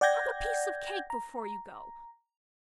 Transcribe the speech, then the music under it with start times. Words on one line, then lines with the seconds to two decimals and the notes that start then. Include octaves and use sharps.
Have a piece of cake before you go!
0.01 D5 F#5 G5 G6 G#6 A#6
1.10 A#5